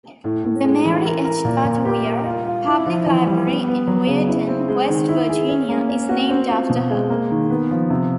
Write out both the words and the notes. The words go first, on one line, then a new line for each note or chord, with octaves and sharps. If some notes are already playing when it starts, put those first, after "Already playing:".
The Mary H. Weir Public Library in Weirton, West Virginia, is named after her.
A2
A2
G#3
E3
A#4
A#4
A#2
A#2
G4
A#4
F4
F4
E4
F3
E3
G3
B3
B3
F#3
C#3
E4
C4
G#3
D#3
E4
G#4
C#4
A#3
C#4
F#4
C4
F4
B2
G#3
A#3
D#3
B3
F3
C3